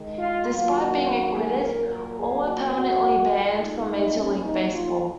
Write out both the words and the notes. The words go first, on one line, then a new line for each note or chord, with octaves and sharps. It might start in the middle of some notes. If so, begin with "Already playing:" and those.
Despite being acquitted, all were permanently banned from Major League Baseball.
Already playing: D#3 G#3
F4
D#3 F#3 A#3 F4
F#4
G#4
A#2 F#3 A#3 A#4
A#4
G#4
F#4
A#2 F3 G#3 F#4
G#4
D#4
C3 F3 A#3 D#4
C#4
D#4
F4